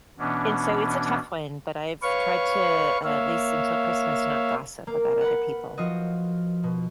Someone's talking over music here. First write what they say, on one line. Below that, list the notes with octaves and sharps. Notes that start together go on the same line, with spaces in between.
and so, it's a tough one, but I've tried to uh, at least until Christmas, not gossip about other people.
B2 E3 B3 C#4 D4
B4 C#5 F5 C#6
A#3 C#5 E5 F5
A#3
B4 F#5
F3 F4 F#4 D#5
B2